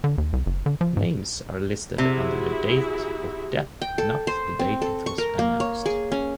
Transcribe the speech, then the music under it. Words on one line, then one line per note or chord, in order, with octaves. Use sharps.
Names are listed under the date of death, not the date it was announced.
D3
D#2
C2
F#1
D3
F3
G#2
C3 E4 F#4 G#4
G5
A4
C5
C4
A4
C#6
A#4
A#3
C#5
G#4
C#4